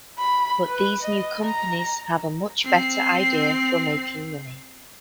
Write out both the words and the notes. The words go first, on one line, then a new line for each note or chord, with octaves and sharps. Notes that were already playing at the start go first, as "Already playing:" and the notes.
But these new companies have a much better idea for making money.
B5
B4
D#5
A#5
C4 C7